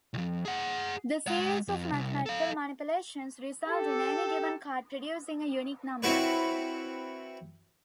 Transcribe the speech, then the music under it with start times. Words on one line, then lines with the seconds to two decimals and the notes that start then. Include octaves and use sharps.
The series of mathematical manipulations results in any given card producing a unique number.
0.14 C2 F2
0.45 G#4 F#5
1.27 G#3 F#5
1.68 F2
1.93 C2
2.26 A4 F5
3.67 G4 A4
6.03 C4 E4 F#4 B4 C#5